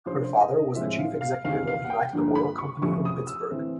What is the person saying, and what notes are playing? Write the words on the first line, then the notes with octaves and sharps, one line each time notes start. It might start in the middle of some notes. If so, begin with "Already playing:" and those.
Her father was the chief executive of United Oil Company in Pittsburgh.
C#3 F3 A3 D4 F4 C5
C5
D#5
D#5
A2 F3 G#3 C4 F4 E5
F5
F5
E2 C3 D#3 F5
F5
F#5
G5
G2 D3 F3 A#3
B5
C#6
F2 C#3 F3 A3 C#6
D#6
E6
E3 A3 C4